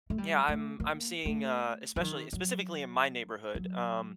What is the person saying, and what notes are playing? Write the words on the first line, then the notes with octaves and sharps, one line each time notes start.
Yeah, I'm I'm seeing, uh, especially eh, specifically in my neighborhood, um,
A3
G3
A3
A#3
A3
F#3
D#3
F#3
F#3